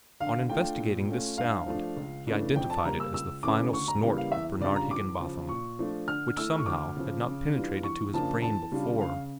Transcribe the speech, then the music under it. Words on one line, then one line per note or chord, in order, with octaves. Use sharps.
On investigating this sound he identified it as the final snort of Bernard Higginbotham, which somehow had not penetrated to his brain before.
D3 F5
A3 D4 F4 G5
A#2
A3 C#4 F4
G2 F5
F3 A3 D4
C#2
C#3 E3 A3 D4
F2 G5
A5
C#3 G3 A#3 C#4 A#5
E6
C#2 E6
C#3 E3 A3 C#4 D6
D2 C#6
A#5
C#3 E3 G3 A#3
F5
E2 E5
C#3 G3 D4 F4 D5
A#5
E2 D6
C#3 F3
A#2 C#6
F3 A3 D4 F4
D3 F6
A3 E4 E6
C#6
D2 D6
C#3 F3
C#3
E3 G3 D4 F4
E2 C#6
C#3 F3 A#3 D4 A5
E2 A5
C#3 G3 D4 F4
C#3 F5